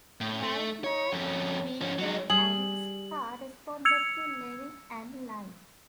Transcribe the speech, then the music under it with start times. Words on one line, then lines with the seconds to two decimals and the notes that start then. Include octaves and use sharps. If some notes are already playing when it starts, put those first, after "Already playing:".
Waldman, Weinberg, and Scarr responded to Levin and Lynn.
0.21 A2
0.42 A3
0.84 C#5
1.12 F2 C#4
1.82 F3 C#4
1.99 F#3 G#3
2.30 G3 G#4 F#7
3.85 E6 G#6 C#7 F7